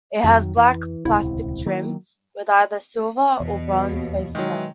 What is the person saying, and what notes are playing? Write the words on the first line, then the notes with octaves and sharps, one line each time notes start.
It has black plastic trim with either a silver or bronze face plate.
F2 D#3 F#3
E3
D#1 C#2 C3 E4
D#3 F#3 A#3
E2 B2
D#2
D#3 F#3 G#3